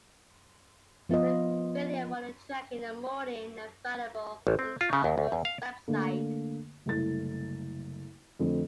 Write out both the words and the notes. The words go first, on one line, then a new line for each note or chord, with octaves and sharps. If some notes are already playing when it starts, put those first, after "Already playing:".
There is a video for the track "In the Morning" available on Halford's website.
F3 B3 F4 B4 D#5
A1
C4
F4
C#3
D#2
D2
E2
F5
D3 A3 A#3
F#1 C2 A3 A6
F2 D3 A3 C4